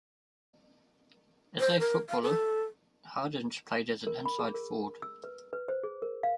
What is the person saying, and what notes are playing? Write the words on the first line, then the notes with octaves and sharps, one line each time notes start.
As a footballer, Hardinge played as an inside forward.
C5
A#4
F5
A4
A#4
B5
G#4
A#4
E6
B4
B4
C5
G#4
A#4
F5